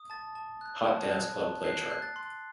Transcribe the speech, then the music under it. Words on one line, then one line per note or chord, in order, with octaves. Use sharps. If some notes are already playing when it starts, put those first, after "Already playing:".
Hot Dance Club Play chart.
Already playing: D#6
A5 A6
A5
F#6
A5
F#6
A5
F#6 C7
F#6
A6
C6